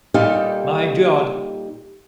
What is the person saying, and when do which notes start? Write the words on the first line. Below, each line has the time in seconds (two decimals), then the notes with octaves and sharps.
My God!
0.14 A#2 G3 D#4 G4 A4 F5